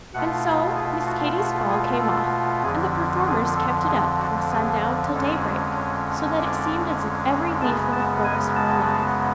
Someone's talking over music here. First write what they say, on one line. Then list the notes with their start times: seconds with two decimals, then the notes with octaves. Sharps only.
And so Miss Katy's ball came off, and the performers kept it up from sundown till daybreak, so that it seemed as if every leaf in the forest were alive.
0.14 B2 A3 F4 F#5
0.75 G#4
1.07 F#4
1.38 F#4
1.69 G#4
2.01 A4
2.63 F2 D3 F3 G#4
3.26 G#4
3.56 A4
3.88 G#4
4.18 F#4
4.51 G#4
5.12 F2 D3 G#3 C#4 A4
5.75 C#5
6.38 D5
7.62 F#2 C#3 G#3 B3 A5
7.93 A5
8.24 G#5
8.56 A5